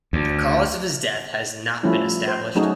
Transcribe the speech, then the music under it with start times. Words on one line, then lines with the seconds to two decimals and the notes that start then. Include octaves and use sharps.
The cause of his death has not been established.
0.13 D2
1.83 F3 G3 A3 C#4 E4
2.28 C5
2.55 F#3 A3 C#4 D#4 F#4 G#4